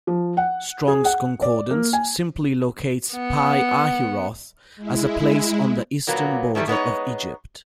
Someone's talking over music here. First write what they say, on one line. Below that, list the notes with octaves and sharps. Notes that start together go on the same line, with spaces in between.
Strong's Concordance simply locates Pi-Hahiroth as 'a place on the eastern border of Egypt'.
F3
F#5
G#4
F#5
D5
A#3
G#5
B3 F#5
G#3 E4
A#2 F#3 A#3 B3
D#3 E3 G3 A3
G#3 B3 D#4 C#5